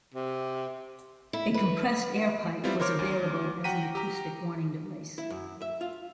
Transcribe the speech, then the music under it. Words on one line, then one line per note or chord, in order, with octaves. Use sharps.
A compressed air pipe was available as an acoustic warning device.
C3
E4
B4
G3 B3 C4 E4 F4
A#4 C5 C#5 C6 D6 F6
D2
F#4 F#5 G5 A#5 B6 D#7
G4 A#5
E4
F#2
E5
F4